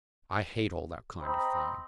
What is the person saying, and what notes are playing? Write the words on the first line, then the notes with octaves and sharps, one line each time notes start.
I hate all that kind of thing.
C4 C5 D#5 G5 A#5 B5